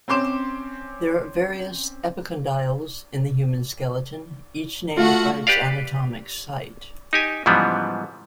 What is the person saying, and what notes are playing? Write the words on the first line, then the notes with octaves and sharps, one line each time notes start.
There are various epicondyles in the human skeleton, each named by its anatomic site.
C4 C#4 C6 D6 E7
A3 F4 F#4 F#5
G4 B4 D5 F5
D#4 G4 G#5
G#2 C#3 E3 F3 G3 B3